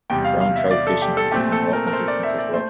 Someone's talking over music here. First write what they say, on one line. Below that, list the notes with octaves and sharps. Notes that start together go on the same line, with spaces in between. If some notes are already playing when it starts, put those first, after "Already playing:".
Brown trout fishing is within walking distance as well.
E2 C3 G3 G5
F5
F5
E5
D5
A4
G4
A4
A#2 A3 C4 G4
A4
A#4
A#4
C5
D5
E5
D5
A3 C5